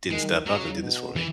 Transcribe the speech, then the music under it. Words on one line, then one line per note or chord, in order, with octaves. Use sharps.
didn't step up and do this for me.
D#3 G#3
C#3 F#3
B2
E3